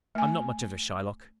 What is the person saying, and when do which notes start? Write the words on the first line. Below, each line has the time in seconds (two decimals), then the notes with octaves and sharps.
I'm not much of a Shylock.
0.15 A3 G#5